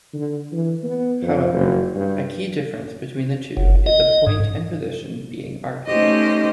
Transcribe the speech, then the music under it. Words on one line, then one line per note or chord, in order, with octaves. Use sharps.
However, a key difference between the two is the point and position being argued.
D3
E3
B3
F2
F#1
G2
F#1
D#5
G#2
A3 C#4 D#4 G4 C5 D#5